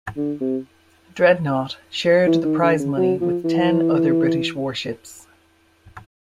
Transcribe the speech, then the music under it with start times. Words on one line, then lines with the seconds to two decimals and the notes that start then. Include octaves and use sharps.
"Dreadnought" shared the prize money with ten other British warships.
0.16 D3
0.41 C3
2.27 E3
2.44 D#3
2.62 D3
2.80 C#3
2.97 F#3
3.21 F3
3.44 E3